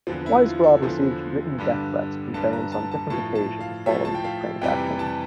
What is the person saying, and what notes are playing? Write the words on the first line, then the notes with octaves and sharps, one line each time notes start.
Weisbrod received written death threats from fans on different occasions following this transaction.
E2 D3 F3 C4
E4
F4
A4
E2 D3 F3 C5
G2 D3 G3
G2 D3 G3 A5
A#5
A5
A5
A2 F3 A5
A5
F5
A2 F3 E5
A5
G5
F5
F2 C3 E3 G3 G5
A5